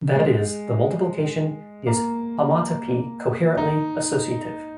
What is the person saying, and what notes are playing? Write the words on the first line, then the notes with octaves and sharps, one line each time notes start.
That is, the multiplication is homotopy coherently associative.
G#3
A#3
D#4